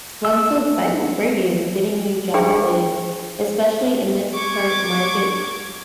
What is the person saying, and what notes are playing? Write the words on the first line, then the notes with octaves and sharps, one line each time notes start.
Well, I'm so excited for you. Getting a new job is especially in this current market
E6
D4 G4 G#4 C5 G5
C#6 D6 G#6